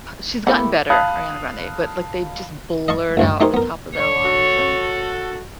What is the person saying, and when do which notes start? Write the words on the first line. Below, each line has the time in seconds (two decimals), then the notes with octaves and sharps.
she's gotten better, Ariana Grande, but, like, they just blurt out the top of their lungs and
0.47 A3 B3 E4 G4 A#4 F5 F#5 B5
0.90 F5 A5 B5 D#6 F#6
2.88 D#5 F5 A5 C#6
3.17 A1 D2 G2
3.40 A3 D#4 G4 G#4 A#4 C5
3.54 B3 A#4
3.95 C#5
4.25 F#4 A4